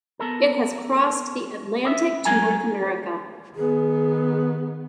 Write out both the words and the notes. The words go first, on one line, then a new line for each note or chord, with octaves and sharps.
It has crossed the Atlantic to North America.
B3 A4 A#4
B3 D5 E5
F#3 G#3 A#4 G#5 A#5
D#3 B3 G#4